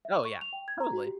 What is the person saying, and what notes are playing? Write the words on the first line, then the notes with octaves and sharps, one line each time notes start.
Oh, yeah. Totally.
E5
C#6
F7
G5
G#6
A#5
F#4
G4